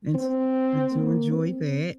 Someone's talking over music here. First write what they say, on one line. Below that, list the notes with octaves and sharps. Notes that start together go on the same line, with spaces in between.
and s I do enjoy that.
C4
A#3
C4